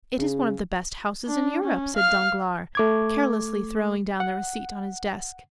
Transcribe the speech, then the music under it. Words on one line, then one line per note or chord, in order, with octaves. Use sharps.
"It is one of the best houses in Europe," said Danglars, carelessly throwing down the receipt on his desk.
C#3
D4
C#4
F5 F6
A3 D6 G#6
F#5